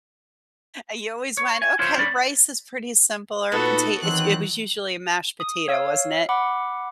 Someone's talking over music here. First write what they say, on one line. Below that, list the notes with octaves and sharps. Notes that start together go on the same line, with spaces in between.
And you always went, "Okay, rice is pretty simple, or pota" it's us It was usually a mashed potato, wasn't it?
C#5
G#5
E4 F4 C5 C#5
C#4 D5 B5
A#2 B3 D#4 F#4 A4 B4 B5
D#3 E3 F#3 C4 F#6
D#6
C#5 F5 E6
F#5 B5 D6